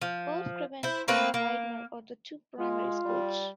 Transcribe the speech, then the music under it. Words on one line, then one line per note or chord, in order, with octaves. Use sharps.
Wolfgraben and Widmer are the two Primary Schools.
F3
E4 C5
A3 A#3 C4 B4
A#3
G#3 F4
G3